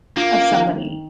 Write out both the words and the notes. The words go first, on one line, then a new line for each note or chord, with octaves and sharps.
of somebody.
A#3 F4
C#4
D#3
D#3
D#3